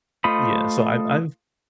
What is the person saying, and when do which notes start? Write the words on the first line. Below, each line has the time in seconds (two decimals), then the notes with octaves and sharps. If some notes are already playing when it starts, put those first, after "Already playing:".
Yeah, so, I've I've
0.24 A3 F4 C5 D#5 B5